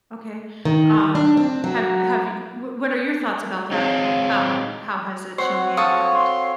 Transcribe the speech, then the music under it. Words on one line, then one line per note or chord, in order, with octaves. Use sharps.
Okay, um, have have y w what are your thoughts about that? How h how has it shown the impact?
D#3
D4
C4
F#3
G#3 C4 D#4 G#4 C#5 F5
C4 F#4 C5 C#5 F#5 C#6
A4 F5 C#6 D#6
C6